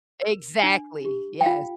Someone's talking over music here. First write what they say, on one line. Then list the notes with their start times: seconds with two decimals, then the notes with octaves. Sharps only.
Exactly, yes.
0.22 A#4
0.63 D4
1.05 G4
1.41 G5
1.46 F4 F5